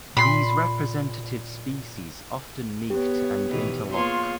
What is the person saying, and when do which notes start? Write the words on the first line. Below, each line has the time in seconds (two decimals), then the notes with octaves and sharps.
These representative species often meet and interlock.
0.17 A#2 B5 C6
2.90 B3 G4 C#5
3.48 B2 D#3 E3
3.92 A#3 B3 F4 G#4 C#5 C6